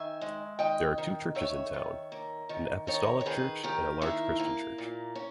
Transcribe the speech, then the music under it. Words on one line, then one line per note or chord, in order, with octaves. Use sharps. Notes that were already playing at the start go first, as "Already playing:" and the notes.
There are two churches in town, an Apostolic Church and a large Christian church.
Already playing: D#3 E5 G#5
G#3
D#3 D#5 G5
D#3
D#3 C#5 E5
D#3
A#3
D#3
D#3 A#4 C#5
C#5
D#3 G#4 B4
D#3 G4 A#4
A#3 E4 G#4
A#3
A#2
C#4